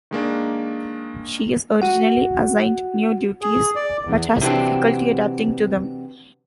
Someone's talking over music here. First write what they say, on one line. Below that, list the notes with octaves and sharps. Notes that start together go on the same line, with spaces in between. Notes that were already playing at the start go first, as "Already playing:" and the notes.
She is originally assigned new duties, but has difficulty adapting to them.
D#3 G#3 A#3 D4
F#4 F#5
G#4
D5
E2
C3 E3 F#3 C4 D4